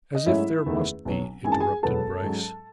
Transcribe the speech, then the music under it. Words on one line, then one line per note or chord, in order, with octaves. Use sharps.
"As if there must be!" interrupted Bryce.
D#5
G#2 F#3 A3 C#4 E4 E5
F#1 E2 D#3 A3
B1 B2 F#3
G#1 F#2 E3 G#3 G#5
A5
G#4 G#5
E1 E2 B2 F#3 B3 A4 A5
G#2 F#3 C#4